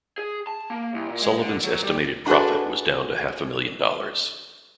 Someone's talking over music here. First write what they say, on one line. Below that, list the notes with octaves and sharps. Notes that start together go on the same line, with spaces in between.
Sullivan's estimated profit was down to half a million dollars.
G#4
A5
A#3
C2
A#2
G#3
D3
F#3
G3
D4 F#4 G#4 A4 B4